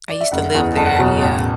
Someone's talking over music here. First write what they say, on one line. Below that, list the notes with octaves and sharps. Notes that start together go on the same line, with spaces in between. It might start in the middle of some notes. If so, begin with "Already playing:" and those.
I used to live there, yeah.
D5
E5
F#1 F#5
E2 E3
F#1 A5
F#5
E2 B2 F#3 A5
A1 A5